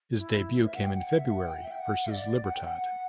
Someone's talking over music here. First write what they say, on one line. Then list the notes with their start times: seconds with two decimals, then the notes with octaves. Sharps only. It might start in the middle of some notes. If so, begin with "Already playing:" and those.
His debut came in February versus Libertad.
0.18 E4
0.58 A#4
0.66 E5
0.75 F#5
0.82 G5
0.94 F#5
1.04 F#5
1.14 E5
1.31 F#5
1.47 G5
1.54 F#5
1.63 E5
1.71 G5
1.78 F#5
2.11 D5
2.43 F#5
2.53 G5
2.64 F#5